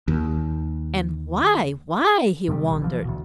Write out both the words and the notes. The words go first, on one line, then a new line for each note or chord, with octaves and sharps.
"And why--why?" he wondered.
D#2
C3 D#3 F3 G3
B1 B2
E3 F3
D2 B2